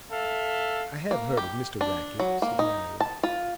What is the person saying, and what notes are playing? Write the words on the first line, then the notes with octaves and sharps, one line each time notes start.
'I have heard of Mr Rackett,' said Marian.
A4 E5 F5
A#3
G4
D4
F#3
A#3
D#4
A5
F4